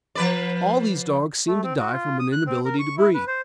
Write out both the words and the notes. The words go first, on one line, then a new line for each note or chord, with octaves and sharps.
All these dogs seemed to die from inability to breathe.
F3 B4 D5
A3
C4
F#4
F4
D#6
F#6
C4
A#4
C#6
E4
B4
C5